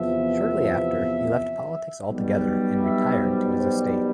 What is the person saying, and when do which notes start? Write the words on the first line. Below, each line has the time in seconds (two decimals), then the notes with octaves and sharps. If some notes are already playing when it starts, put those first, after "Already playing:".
Shortly after he left politics altogether and retired to his estate.
Already playing: E2 C3 F3 B3 E5
2.07 B1 B2 G3
2.83 E5
3.21 C5
3.59 C5